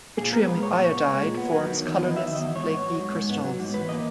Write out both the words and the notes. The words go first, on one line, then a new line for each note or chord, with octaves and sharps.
Yttrium iodide forms colorless flaky crystals.
A#2 G#4
B3 A#4
G#3 B4
A#2 C#5
A#2 C#5
B3
G#3
A#2
B3
F#3
D#3
E2
B3 D#5
F#3
E5
D#3
D#5
E2
G#2 C#5
B3
F#3
G#2
G#2
B3
F#3
G#2
E2 B4
A#3 D#5